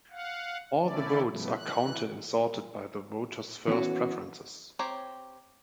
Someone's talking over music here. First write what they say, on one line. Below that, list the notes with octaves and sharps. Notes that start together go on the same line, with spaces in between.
All the votes are counted and sorted by the voters' first preferences.
F5 F#5
D#3 A3 C#4 E4 D5
A2 C#3 F3 G3 A3 B3
E3 F#6
E3 B3 C#4 F#4
C4 G4 C#5 A#5